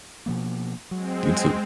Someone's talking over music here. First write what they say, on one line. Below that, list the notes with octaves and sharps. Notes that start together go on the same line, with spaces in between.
You, too.
B2 F3 A#3
F#3 G#3 C4